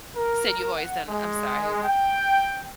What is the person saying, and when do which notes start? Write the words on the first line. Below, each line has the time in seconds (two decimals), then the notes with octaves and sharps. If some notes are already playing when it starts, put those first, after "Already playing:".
Said you've always done I'm sorry, it's
0.17 A#4
0.78 F#5
1.09 G#3
1.84 G5